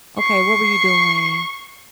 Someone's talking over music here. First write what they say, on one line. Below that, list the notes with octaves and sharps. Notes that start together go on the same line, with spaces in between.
"Okay. What were you doing?
C#6 C7